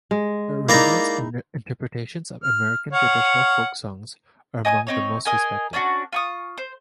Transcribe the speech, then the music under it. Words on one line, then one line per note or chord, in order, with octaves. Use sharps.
Her arrangements and interpretations of American traditional folk songs are among the most respected.
G#3
A#3 D#4 E4 D5 A#5
F6
C#5 F5 F#5
D#5 G#5 D6 D#6
C4 D#4 C#5
G#4 A#4 D#5 G#5
C#4 D4 E4 F#4
F4 C#6 D#6
C5